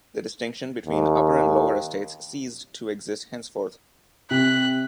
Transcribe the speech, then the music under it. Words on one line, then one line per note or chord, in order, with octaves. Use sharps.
The distinction between "Upper" and "Lower" estates ceased to exist henceforth.
D#2
C3 F#6 B6